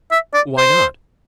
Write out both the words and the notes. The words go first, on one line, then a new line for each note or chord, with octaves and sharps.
"Why not?"
E5
D5
C5